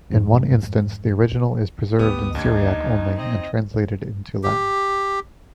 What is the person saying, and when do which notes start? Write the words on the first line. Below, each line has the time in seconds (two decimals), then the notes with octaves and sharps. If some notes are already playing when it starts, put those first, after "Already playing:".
In one instance, the original is preserved in Syriac only and translated into Latin.
0.10 F2 G#2
1.99 D2 B3 G4 D#6
2.35 D#2 D4 D#4 G#6
3.16 C4 D#5
4.43 G4